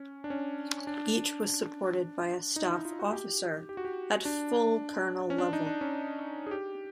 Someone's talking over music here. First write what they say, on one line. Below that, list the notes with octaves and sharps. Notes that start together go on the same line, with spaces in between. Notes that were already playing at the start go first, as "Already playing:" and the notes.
Each was supported by a staff officer at full colonel level.
Already playing: C#4
D4
C#4
D4
D#4
E4
F4
F#4
G4
G4
F#4
G4
D4
C#4
D4
D#4
D4
C#4
G#4
G4